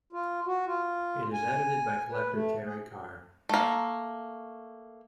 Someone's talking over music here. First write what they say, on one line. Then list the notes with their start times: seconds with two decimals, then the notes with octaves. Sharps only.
It is edited by collector Terry Carr.
0.13 F4
0.46 F#4
0.66 F4
1.33 G#5
2.11 B4
2.33 A3
2.65 G#4
3.49 A3 A#3